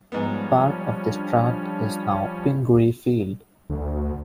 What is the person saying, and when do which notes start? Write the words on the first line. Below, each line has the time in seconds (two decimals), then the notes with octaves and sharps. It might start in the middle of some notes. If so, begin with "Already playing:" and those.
Part of this tract is now Pingree Field.
0.12 G#2 F3 G3 B3 C#4
1.06 D4
3.70 D2